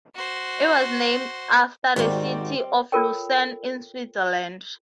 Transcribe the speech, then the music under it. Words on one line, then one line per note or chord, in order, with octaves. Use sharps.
It was named after the city of Lucerne, in Switzerland.
F#4 C5
G#1 G3 C4 D#4 F#4 G4 D5
F4 A4 A#4 C#5 G5